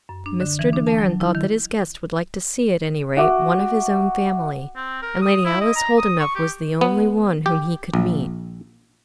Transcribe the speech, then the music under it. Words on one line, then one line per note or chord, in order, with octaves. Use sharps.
Mr. De Baron thought that his guest would like to see, at any rate, one of his own family, and Lady Alice Holdenough was the only one whom he could meet.
F#2
D4
D3
E3
D4
A5
F#3
E4
D#3
F#4 E5 D6
C4
A#4
D#6
E4
D#5
A#5
D#6
C#6
G4
B3
G4
A#1